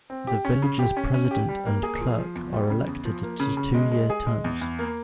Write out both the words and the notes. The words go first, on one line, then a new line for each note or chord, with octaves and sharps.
The village's president and clerk are elected to two-year terms.
C4
G4
C#4
C#3
G4
C#4
C#4
G4
G3
A#3
G#4
F3
F3
E2
G3
C#3
E2
F3
A#3
C#3
C#3
G#3
G#3
G#4
G#3
E2
E2
A#3